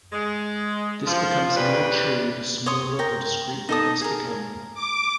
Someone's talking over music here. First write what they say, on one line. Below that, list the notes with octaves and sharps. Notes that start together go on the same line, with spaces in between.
This becomes more true the smaller the discrete units become.
G#3
F3
C#3 E3 G3 D4 G4 B4
C#5 C6 D#6
A#4 G5
D#4 A4 D#6
G#4 A#4
D6